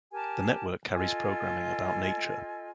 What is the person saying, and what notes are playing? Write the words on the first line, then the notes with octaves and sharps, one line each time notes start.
The network carries programming about nature.
G4 A#4 G#5 A5
F4 A4 D#5 G#5